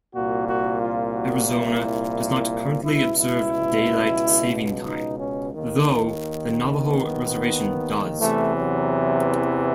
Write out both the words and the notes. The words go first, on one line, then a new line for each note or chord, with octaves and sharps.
Arizona does not currently observe Daylight Saving Time, though the Navajo reservation does.
C2 A#2 F#4
F#4
F4
F#4
E4
C#2 B2 E4
E4
D#4
C#4
D#2 D#3
B3
E2 C3 E3 A3
F#3